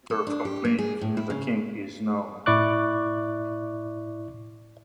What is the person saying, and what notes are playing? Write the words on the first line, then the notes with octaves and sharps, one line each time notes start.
A letter of complaint to the king is known.
A4
D4
G4
A#3
G#4
A2
E4
C#3
A2 E4 D5 C#6 D6 F#6